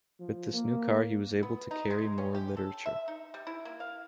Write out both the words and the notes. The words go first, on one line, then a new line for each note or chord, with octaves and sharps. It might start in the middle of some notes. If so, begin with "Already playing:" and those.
With this new car he was able to carry more literature.
F3
A#3
B3
D#4
G#3
C#4
G4
A4
E5
D#4
G3
E4
A#3
F5